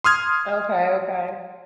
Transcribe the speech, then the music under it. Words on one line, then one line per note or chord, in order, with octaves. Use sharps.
Okay, okay.
C6 D#6 F6 G#6